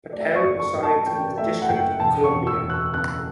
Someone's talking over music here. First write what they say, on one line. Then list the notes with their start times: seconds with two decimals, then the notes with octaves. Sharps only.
Patel resides in the District of Columbia.
0.13 A3 D5
0.20 E5
0.28 D5
0.36 C#6
0.44 F#1
0.60 C#6
0.75 F#2
0.83 A5
1.06 E3 G5
1.38 A3 E5
1.62 F#5
1.69 F#1 G5
2.00 E1 A5
2.24 C#6
2.31 E1
2.47 E6
2.63 E2
2.70 F#6
2.94 C#3 F#6